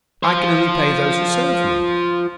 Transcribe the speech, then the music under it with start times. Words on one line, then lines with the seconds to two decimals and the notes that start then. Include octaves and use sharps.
I can only pay those who serve me.'
0.23 F4 C5